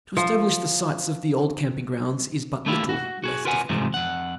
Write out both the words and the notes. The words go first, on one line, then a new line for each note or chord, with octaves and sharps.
To establish the sites of the old camping grounds is but little less difficult.
F3
A3 A#3 E4 F4 G4
F#4
F#4 G#4
F4 A#4 B4 F#5 G#5
G#2 C3 E3 F3 A3
F2 F#5